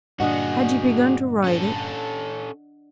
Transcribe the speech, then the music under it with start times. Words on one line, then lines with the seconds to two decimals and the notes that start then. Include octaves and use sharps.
Had you begun to write it?
0.20 G2 A#2 D3 D4 F#4 G#4 D#5 F#5
1.44 C#4 A4